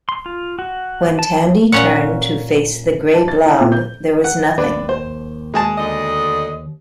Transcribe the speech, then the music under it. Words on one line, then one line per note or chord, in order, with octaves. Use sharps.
When Tandy turned to face the grey blob, there was nothing.
C6
F4
F#4
A5
A#2 C#4 C#5 F#5
A5
A6
D#4
A#2
G6
F#5
D#2 D4 B4
C5
G#3 G#4 A5
D2 D3 D#5